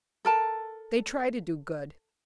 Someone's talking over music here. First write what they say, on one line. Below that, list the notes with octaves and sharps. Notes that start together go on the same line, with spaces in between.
They try to do good.
A4 A#4 A5